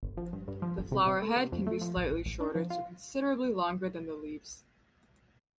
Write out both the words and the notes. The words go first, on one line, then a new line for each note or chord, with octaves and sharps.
The flower head can be slightly shorter to considerably longer than the leaves.
G1
F3
G2
G2
F3
G1
C3
C3
A3
C3
F2
A3
F3
A1
A1
A1
D4
F3
F4